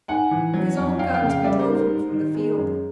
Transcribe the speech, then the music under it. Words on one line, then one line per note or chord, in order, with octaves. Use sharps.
With his own guns we drove him from the field.
G#2 F#5 G#5
E3
F#3
F2
F2 F5 G5
F5 G5
C#3
F5 G5
G3 D5 E5
A#4 C5
G#2
A#4 C5
G#2
D#3
G#3
F#2